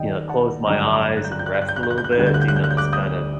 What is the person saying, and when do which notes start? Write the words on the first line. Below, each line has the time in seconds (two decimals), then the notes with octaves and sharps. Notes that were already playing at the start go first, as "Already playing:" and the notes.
you know, close my eyes and rest a little bit, you know, just kind of
Already playing: D#2 D#3 G3 D5 D#5 G5
0.29 F#5 A5
0.67 G2 D3 F#3 G5 A#5
0.92 A#5 D6
1.17 F#6
1.24 G6
1.32 F#6
1.39 G6
1.46 F#6
1.54 G6
1.62 F#6
1.68 G6
1.76 F#6
1.83 G6
1.90 F#6
1.98 G6
2.04 F#6
2.12 G6
2.17 D2 D3 G3 F#6
2.26 G6
2.34 F#6
2.41 G6
2.48 F#6
2.56 G6
2.64 F#6
2.70 G6
2.77 D6 F#6
2.93 D#6 G6